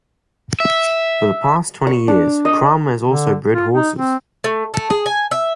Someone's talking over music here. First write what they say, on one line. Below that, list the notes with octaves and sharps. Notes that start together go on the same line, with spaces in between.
For the past twenty years, Crum has also bred horses.
E5
C#6
D4
D#5
D3
F4
D#4
C4
A3
A3
G#4
G#5
E5